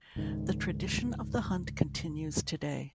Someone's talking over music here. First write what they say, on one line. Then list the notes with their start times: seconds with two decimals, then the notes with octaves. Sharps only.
The tradition of the hunt continues today.
0.16 C#2 G#2 D#3